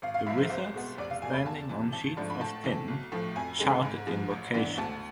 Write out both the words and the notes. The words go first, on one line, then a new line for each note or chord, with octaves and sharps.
The wizards, standing on sheets of tin, shouted invocations.
G#1 F5
F5
G#2 F3 E5
C5
C2 C5
B2 G#3 B3
F1 D5
F5
E2 B2 A3 G#5
B5
E2 A5
C3 E3
G#1 A5
G#2 F3 A3 D4
B5
A2 A5
E3 A3 C4
B1
A2 F3 A3
F2 G#5
D3 G#3 C4
G#2
F3 G#3
A1
G#2 E3 B3 D4
D2 A5